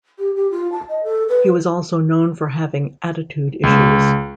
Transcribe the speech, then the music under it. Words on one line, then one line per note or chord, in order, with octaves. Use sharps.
He was also known for having attitude issues.
G4
G4
F4
A5
D#5
A4
B4
C#2